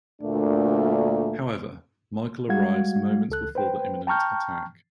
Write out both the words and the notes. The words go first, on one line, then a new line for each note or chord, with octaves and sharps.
However, Michael arrives moments before the imminent attack.
D2 A#2 A3 A#3 D4
G3 G#3 F#4 F5 F#5 G#6
C#2 A4 F#6
B4 C5 G5
G5 A5 A#5 C#6 F6 G6